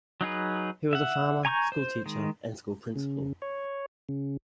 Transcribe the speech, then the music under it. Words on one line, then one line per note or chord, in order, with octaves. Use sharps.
He was a farmer, school teacher and school principal.
F#3 D#4 G#4 B4
E5 F#5
G#5 A#5 C#6 D6 G6
C5
D#3 G#3
C#3
C#5
C#3